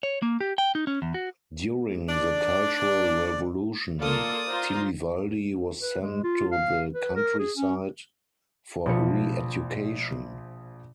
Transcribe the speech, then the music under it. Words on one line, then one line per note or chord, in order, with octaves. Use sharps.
During the Cultural Revolution, Tiliwaldi was sent to the countryside for "re-education".
C#5
A#3
G4
G5
D#4
C#4
E2
F#4
D4 D5
A#3 F4 A4 D5 D#6
F4 C5 A#5
B4
G#3
F4
F5
B4
A#4
G#4
C#4
A#1 B2 F3 D4 C#7